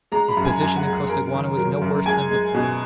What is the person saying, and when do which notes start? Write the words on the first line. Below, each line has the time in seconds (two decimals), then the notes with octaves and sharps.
His position in Costaguana was no worse than before.
0.12 G#3 A#5
0.28 B5
0.37 F#2
0.45 G#5
0.61 F#2 G#5
0.76 F#5
0.84 G#3
0.93 G#4
1.09 F#2 A#4
1.33 D#3
1.57 F#3 A#4
1.81 F#2
2.06 G#3 G#5
2.30 G#3
2.54 B2